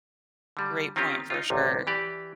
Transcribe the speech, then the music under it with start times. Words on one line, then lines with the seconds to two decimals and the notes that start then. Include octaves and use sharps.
great point for sure.
0.57 D3 G3
0.96 D#3 C4 C#4 F4 G4
1.30 D#4 F4
1.50 A1 D2 C3
1.87 E3 G4 D5